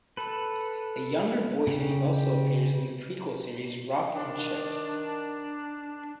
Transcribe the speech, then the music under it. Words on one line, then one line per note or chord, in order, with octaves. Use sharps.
A younger Boycie also appears in the prequel series "Rock and Chips".
A4 B4
C#3 G4
D#3 D4